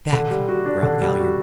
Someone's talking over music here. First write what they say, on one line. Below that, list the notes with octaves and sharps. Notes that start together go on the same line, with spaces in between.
"Back!" growled Galliard.
D3
G3
F#4
D4
D3
G3
F#4